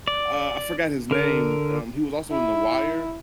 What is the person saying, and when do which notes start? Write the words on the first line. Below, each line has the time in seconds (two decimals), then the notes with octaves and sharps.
uh, I forgot his name. Um, he was also in The Wire,
0.08 D5
1.11 D3 A#4
2.32 E4